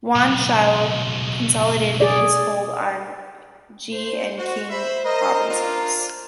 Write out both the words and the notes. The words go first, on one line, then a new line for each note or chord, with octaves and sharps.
Yuan Shao consolidated his hold on Ji and Qing provinces.
B1 C#3
G#4 D5
C5
F#4
C5 E5 B5
A#4 D#5
D4 F4